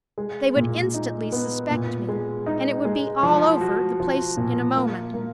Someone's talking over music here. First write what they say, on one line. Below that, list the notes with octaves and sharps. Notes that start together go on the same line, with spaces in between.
They would instantly suspect me, and it would be all over the place in a moment.
G#3
A#2
D#4
B3
A#2
G#3
D#4
G#3
F3
F#4
F3
A#2
A#3
A#3